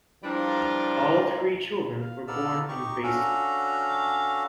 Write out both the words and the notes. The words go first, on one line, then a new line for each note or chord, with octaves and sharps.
All three children were born in Basel.
E3 F3 G3 D4 F4 A#4
F5
B3 D#4 A4 D5 F5 E6
D#4 G4 C#6
C#4 D4 F#4 A4 F5 A#5